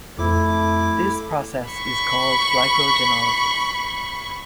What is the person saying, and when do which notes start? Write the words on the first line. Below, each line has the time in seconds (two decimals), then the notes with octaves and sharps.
This process is called glycogenolysis.
0.19 F2 A3 E4 D6
1.69 B5 C#6